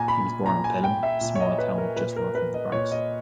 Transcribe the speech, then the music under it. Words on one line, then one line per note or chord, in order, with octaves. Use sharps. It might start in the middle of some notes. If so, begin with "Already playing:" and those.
He was born in Pelham, a small town just north of the Bronx.
Already playing: A#2 G#5 A#5
B5
A#2 A#5
G#5
G5
E5
A#2
C#5
D#5
B4
A#4
A#2 B4
A#4
B4
D#5
A#2 C#5
D#5